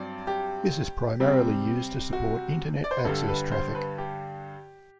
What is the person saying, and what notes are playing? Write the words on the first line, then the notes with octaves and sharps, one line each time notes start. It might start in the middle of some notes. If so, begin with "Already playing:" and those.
This is primarily used to support Internet access traffic.
Already playing: G2 F#3 C4 D5
G4
C3 G3 C4
F#4
D5
C5
B4
G2 D3 G3 A4
B4
C5
B4
G4